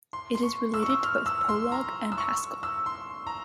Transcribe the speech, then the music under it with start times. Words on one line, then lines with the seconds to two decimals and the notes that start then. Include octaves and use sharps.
It is related to both Prolog and Haskell.
0.13 C6
0.35 C6
0.43 C#6
0.74 E6
0.82 C#6
0.90 E6
1.03 F6
1.26 E6
1.49 C6
1.72 A#5
2.12 E6
2.18 C#6
2.63 E6
2.86 C6
3.27 A#5